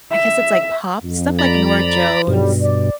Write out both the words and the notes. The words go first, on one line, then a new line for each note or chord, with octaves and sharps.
I guess it's like pop stuff like Norah Jones,
E5
F2
D5 A#5 B5
B1 G2 B2 F#3 G3
D5